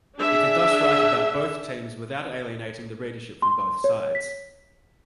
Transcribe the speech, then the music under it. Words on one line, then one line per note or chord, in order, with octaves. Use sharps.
He could thus write about both teams without alienating the readership from both sides.
D4 G#4 E5
C6
C#5
B6